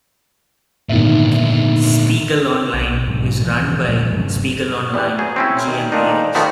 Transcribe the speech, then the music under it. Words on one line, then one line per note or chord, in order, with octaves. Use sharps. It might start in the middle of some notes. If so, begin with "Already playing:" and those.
"Spiegel Online" is run by Spiegel Online GmbH.
G#1 A#2 D3 B3 E5
B1
G#2 B2 F#3 D4
E1 E3 F3
A#2 F3 F#3 G#3
G2 C3 F#3 C#4
E2 G3
F#3 G#4
C4 C#4 E4
D#3
A#2 D#3 D4 D#4
D#3 F3 A3 B3 F#4 D5